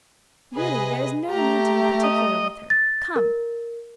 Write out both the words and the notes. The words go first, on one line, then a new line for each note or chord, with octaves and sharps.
"Really, there is no need to be particular with her; come."
C3 G#4 B4 D#5
A3 G4 A#5
D#5
A6
A#4